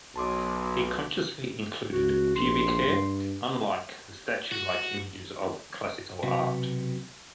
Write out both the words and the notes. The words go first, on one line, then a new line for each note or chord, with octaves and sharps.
He consciously included pubic hair, unlike the statue-like images of classical art.
B1 A5 C6 D6
C#2 F#4
A#1 C6
G2
F#4
B1 C3 F#4 B4